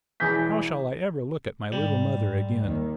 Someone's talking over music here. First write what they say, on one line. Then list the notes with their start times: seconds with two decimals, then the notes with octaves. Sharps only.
How shall I ever look at my little mother again?
0.20 E1 E3 G#4 G6 B6
1.72 G#2 G3
2.63 D#2 D#3